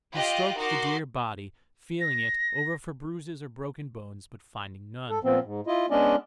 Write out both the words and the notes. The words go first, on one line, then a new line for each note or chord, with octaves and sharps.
He stroked the dear body, feeling it over for bruises or broken bones, but finding none.
F4 G4 D#5 F#6
D#4 F#4 A#4 C6 D6
A#6
A4
A#2 F3 B3 C4
G#2
E4 F4 D#5
G#3 B3 C#4 D4 D5 D#5